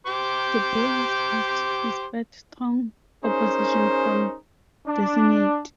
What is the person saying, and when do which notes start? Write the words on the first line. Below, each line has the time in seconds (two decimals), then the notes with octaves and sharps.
The bill was passed despite strong opposition from the senate.
0.07 G4 C5 D6
3.24 C#4 D#4 G#4 A#4 C5
4.87 D4